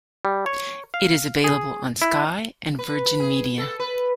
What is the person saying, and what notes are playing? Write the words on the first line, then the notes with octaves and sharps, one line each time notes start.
It is available on Sky and Virgin Media.
G3
C#5
F5
G#4
E4
B4
G#4
A4
B4